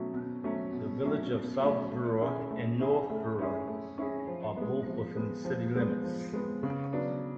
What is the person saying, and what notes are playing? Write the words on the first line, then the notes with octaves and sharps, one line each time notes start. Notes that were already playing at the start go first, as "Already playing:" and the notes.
The villages of South Brewer and North Brewer are both within city limits.
Already playing: B2 F#3 A3 C#4
B2
F#3 A3 C#4
B2
F#3 A3 C#4
B2
F#3 A3 C#4
A3
C#4 E4 G#4
A3
C#4 E4 G#4
A3
C#4 E4 G#4
A3
C#4 E4 G#4
F3
G#3 B3
F3
G#3 B3
F3
G#3 B3
F3
G#3 B3
C#3
F#3 B3 D4